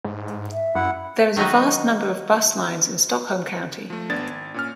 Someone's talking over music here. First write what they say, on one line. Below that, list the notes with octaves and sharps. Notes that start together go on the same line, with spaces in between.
There is a vast number of bus lines in Stockholm County.
G#2
E5
F#2 E4 F#5
D#3 F#3 B3 D#4 F#4
F3 A3
G#1 B3 D4 G#6 A6
G#1
A#2 C#4 F6